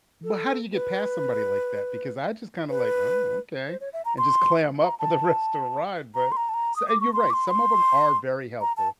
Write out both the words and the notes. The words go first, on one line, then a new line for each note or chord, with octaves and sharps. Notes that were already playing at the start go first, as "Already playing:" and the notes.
But how do you get past somebody like that, because I just kinda like, "Oh, okay," and just clam up for the rest of the ride, but so and you're right, some of them are very helpful,
A4
B4
B4
C5
C#5
E5
A#5
C6
A#5
A5
A#5
C6
A#5
A5
A#5
D#6
D6
C#6
C6
D6
C6
B5
C6
A#5
A5